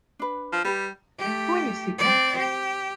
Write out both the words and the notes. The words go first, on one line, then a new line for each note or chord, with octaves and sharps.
Who are you seeking?
D4 B4
F3
G3 G4 B4
A3 G4
C4 D5
G4